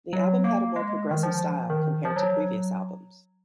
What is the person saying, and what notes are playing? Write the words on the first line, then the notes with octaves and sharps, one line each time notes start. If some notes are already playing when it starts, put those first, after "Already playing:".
The album had a more progressive style compared to previous albums.
F#3
A#3
G#3
D#3
F3
D#3
F3
F#3